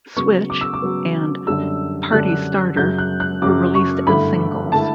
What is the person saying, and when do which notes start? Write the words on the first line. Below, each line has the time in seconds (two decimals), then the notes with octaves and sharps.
"Switch" and "Party Starter" were released as singles.
0.17 C#3 F#3 B3 C#6
0.50 D6
0.61 E6
0.73 D6
0.82 C#3 F#3 B3
1.47 F#2 D3 G3 D4 E6
2.12 F#2 D3 G3 D4 F#6
2.77 F#2 C#3 F#3 G6
2.98 F#6
3.20 F#6
3.42 F#2 C#3 F#3 D6
3.75 C#6
4.07 G2 D3 A3 E4 B5
4.72 D3 A3 E4 A5